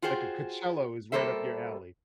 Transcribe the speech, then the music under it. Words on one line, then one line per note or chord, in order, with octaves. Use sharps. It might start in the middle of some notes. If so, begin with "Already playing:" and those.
Like a Coachella was right up your alley.
F4 F#4 G#4 C5 G5
B2 G3 A#3 A4 C5 E5